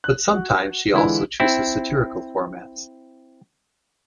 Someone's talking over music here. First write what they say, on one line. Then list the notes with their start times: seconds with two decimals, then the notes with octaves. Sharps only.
But sometimes she also chooses satirical formats.
0.04 F#6
0.34 F#4
0.94 D3 E3 G#3 E4 F4
1.40 C4 E4